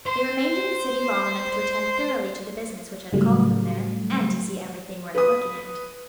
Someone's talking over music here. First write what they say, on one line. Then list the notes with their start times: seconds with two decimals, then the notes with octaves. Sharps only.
They remained in the city long enough to attend thoroughly to the business which had called them there, and to see everything worth looking at.
0.06 C5 C6
3.13 A2 C#3 F#3 G3 A3
5.15 B4 D#6